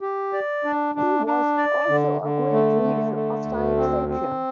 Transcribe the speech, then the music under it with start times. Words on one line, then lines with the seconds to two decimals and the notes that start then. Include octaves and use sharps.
He was also a great reader of science fiction.
0.01 G4
0.33 D5
0.65 D4
0.95 D4
1.26 D4
1.58 D5
1.89 D3
2.21 D3
2.52 A3
2.83 D3
3.14 A3
3.45 D2
3.77 C4
4.09 C4